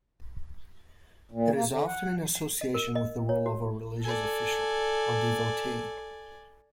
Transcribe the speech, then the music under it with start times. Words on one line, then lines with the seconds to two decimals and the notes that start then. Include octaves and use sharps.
It is often in association with the role of a religious official or devotee.
1.31 A#2
1.54 A#3
1.68 D3
1.87 F#5
2.35 F#5
2.61 D#5
2.74 A#4
2.95 D#5
3.29 C#5
3.46 F#4
4.03 A4 D5 G#5